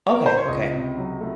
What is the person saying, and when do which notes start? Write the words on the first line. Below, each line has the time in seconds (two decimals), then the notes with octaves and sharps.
Okay, okay.
0.14 A#4
0.26 C5
0.37 C#5
0.48 C#2 D#5
0.73 C3
0.97 F#3
1.21 A3